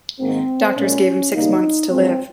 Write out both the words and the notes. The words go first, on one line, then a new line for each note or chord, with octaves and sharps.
Doctors gave him six months to live.
G#2 D#3 A#3 C4
A#2 G#3 C#4
D#2 C#3 G3 A#3 D#4
G2 F3 G#3 C4